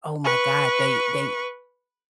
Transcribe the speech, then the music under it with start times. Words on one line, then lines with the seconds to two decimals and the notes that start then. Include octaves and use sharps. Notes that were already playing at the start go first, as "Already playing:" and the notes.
oh my god, they they
0.24 B4 C#6